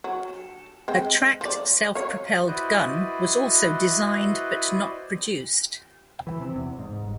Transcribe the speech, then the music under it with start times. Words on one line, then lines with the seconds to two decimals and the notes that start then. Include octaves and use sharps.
A tracked self-propelled gun was also designed but not produced.
0.04 F#3
0.88 G#3 C4 G5
1.41 F3 D5
1.95 C#5 F5
2.47 E4 F#4 B4 C5 D5 D#5
6.27 E3
6.40 C3
6.56 E2
6.79 G#2
7.03 G1